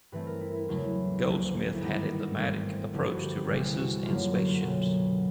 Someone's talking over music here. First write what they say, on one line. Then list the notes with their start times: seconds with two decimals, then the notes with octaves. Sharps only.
Goldsmith had a thematic approach to races and spaceships.
0.12 G2 E3 A3 C4 B4
0.27 A#4
0.41 E4
0.55 E4
0.69 E2 C#3 F#3 A3 E4
1.24 D2 D3 F3 A#3
1.75 E4
1.81 G2 D#3 G3 B3 D#4
2.38 G#1 G#2 E3 A3 C4
2.93 G2 D3 F3 A#3 E4
3.07 F#4
3.22 G4
3.35 G4
3.48 C2 C3 E3 G3 C4 G#4
3.78 F#4
4.05 F#2 D3 F#3 A#3 F4
4.20 F4
4.33 F#4
4.48 F4
4.61 B1 B2 F#3